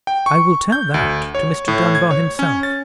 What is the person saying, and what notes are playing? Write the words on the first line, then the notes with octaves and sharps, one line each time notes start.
"I will tell that to Mr. Dunbar himself."
G5
C#6
G6
D2
C#5
A2
G#6
C#5
C#4
A6